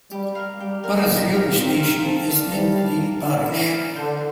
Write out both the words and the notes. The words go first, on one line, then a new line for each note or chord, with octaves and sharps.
Bures railway station is in the parish.
G3 G4
A#4 F5
G3 G4
A#4 F5
A#3 G4
A#4 F5
C4 G4
A#4 F5
C4 A4
D5 F5 A5
G3 A4
D5 F5 A5
A#4
D5 F5
E3 A#4
D5 F5
D3 C5